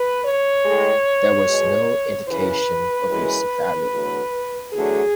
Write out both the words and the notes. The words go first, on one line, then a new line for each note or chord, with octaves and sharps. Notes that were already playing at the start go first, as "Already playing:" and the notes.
There was no indication of its value.
Already playing: B4
C#5
A2 G#3
B2 G#3
F#2 C#3 E3 B4
F#2 E3 G#3
E2 D3 F#3 A3
E2 D3 F#3 A3 G#4